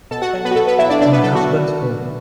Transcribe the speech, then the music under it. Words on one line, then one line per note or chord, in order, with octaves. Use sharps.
My husband's home!
B2 A4 A5
F#4 F#5
F#3
B3 B4
F#4
B2 A4
B3 B4
F#3 E4 E5
D4 D5
B2 D4 D5
B3 B4
F#3 A4
F#4